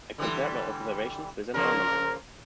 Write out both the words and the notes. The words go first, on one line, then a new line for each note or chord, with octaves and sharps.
I compared my observations with an almanac.
D3 E3 G3
C#3 F3 A#3 A#4